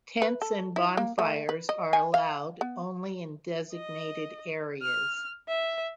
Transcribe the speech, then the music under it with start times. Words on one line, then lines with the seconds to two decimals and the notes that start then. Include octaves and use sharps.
Tents and bonfires are allowed only in designated areas.
0.22 B4
0.42 A4
0.76 E4
0.97 A#3
1.19 A3
1.49 B4
1.69 D#5
1.93 G#5
2.14 F5
2.61 B3
3.73 D#5
4.82 F6
5.48 E5